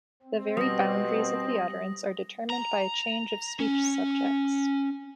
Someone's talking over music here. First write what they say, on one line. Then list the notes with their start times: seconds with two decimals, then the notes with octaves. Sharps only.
The very boundaries of the utterance are determined by a change of speech subjects.
0.23 C4
0.57 B2 G3 D#6 A#6
2.50 A#5
3.60 C#4